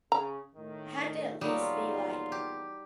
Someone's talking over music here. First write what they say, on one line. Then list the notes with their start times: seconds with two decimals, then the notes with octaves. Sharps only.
had to at least be, like,
0.12 C#3 A#5
0.55 A2 D#3
1.41 E2 A#2 F#3 G3 D#4 F4
2.32 G4